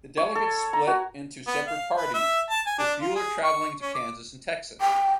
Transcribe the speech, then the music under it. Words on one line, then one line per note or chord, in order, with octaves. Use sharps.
The delegates split into separate parties, with Buller traveling to Kansas and Texas.
C#5
A4
A#5
F#4
B3
F5
B4
E5
A5
G#5
D4
F4
G#4
C#6
C#4
D6
G5